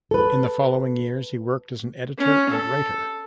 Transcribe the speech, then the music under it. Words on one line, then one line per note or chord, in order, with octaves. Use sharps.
In the following years he worked as an editor and writer.
A4 B4
C#4
A4